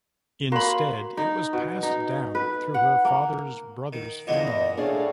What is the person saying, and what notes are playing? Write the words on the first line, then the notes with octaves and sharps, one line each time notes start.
Instead, it was passed down through her father's brother's family.
A#3 F#4 C#5 B5 C6
D#4
B2
D#4
B4
F#5
A#3
D#3
E2 A#2 A#3 B3 D#5
A2 A3 D4 G#4 C#5 D5 F5